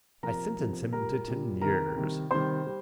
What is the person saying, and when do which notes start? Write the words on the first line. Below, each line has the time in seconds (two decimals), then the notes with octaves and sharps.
I sentenced him to ten years.
0.23 C3 F3 A#4 A#5
0.59 C3 F3
0.92 A#2 G3 A#4 A#5
1.28 A#2 G3
1.61 C3 D#3 G3 A#4 A#5
1.96 C3 D#3 G3
2.31 C3 D#3 G3 C5 C6
2.66 G3